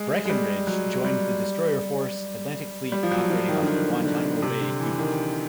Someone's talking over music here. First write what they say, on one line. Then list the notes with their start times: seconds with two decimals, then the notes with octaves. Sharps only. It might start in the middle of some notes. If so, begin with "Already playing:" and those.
"Breckinridge" joined the Destroyer Force, Atlantic Fleet operating off Guantanamo Bay, Cuba.
Already playing: G#3
0.25 G#3
0.30 G3
0.67 F#3
1.05 G3
2.92 G3
3.03 F3
3.12 F#3
3.30 F3
3.49 D#3
3.62 D3
3.68 D#3
4.05 D3
4.42 C3
4.61 D3
4.80 E3
4.99 D#3